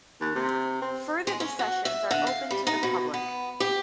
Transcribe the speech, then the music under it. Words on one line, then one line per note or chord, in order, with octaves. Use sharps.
Further the sessions are open to the public.
D#2
C3
C4
G#3
C#4
F#4
E5
D3
F5
G3
D#4
B2
B3
G4